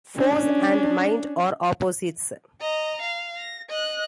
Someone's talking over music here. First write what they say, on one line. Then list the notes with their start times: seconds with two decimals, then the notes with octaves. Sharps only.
Force and mind are opposites.
0.16 C#4 D4
2.61 D#5 A#5
3.02 F5
3.38 A#6
3.69 D#5 F#6